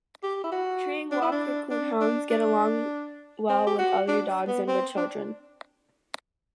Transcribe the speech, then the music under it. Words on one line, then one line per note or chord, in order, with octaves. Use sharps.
Treeing Walker Coonhounds get along well with other dogs and with children.
G4
E4
F#4
D4
E4
D4
D4
D4
D4
C4
G4
F#4
D4
B3
C4
D4